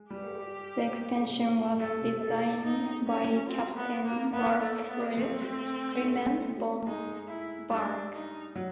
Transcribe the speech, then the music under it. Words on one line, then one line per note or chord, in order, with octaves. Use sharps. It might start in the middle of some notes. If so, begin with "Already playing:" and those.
The extension was designed by Captain Wilfred Clement Von Berg.
Already playing: G#3
G3 G4
A3 A4
A4
D#4
C#4
C4
B3
A#3
A#3 B3
A3
B3
A3 C4
A3
G#3 D#4
E4
G3 D4
D#4
F#3